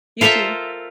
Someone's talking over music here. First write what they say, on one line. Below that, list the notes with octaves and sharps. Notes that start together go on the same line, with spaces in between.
You too.
F4 A4 A#4 C5 E5